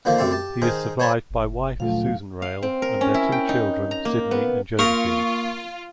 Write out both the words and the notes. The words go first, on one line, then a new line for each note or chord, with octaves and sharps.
He is survived by wife Susan Rayl and their two children, Sydney and Josephine.
D3 D#3 F3 A#3 C5
F#2 C3 A3 C4 D5 C6
G4 A5
D#3 G#4 A#4 C5
C5 C#5 G#5 A5 B5
F#1
D2 A#2 F3 F#3 A3 F5
F5
C4
A#4
C#4
E4
G5
D#4
A#5
A#3
B3
A#3 F4 A#4 C#6